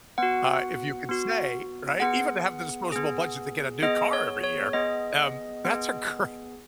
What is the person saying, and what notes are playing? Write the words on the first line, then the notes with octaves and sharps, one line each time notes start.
Uh, if you could say, right? Even to have the disposable budget to get a new car every year, um, that's a great
B3 F#4 F#5
B3 F#4
B3 G#4 F#5
B3 G#4
B3 G#4 D#5
C#5
C#5
B3 G#4 D#5
B3 G#4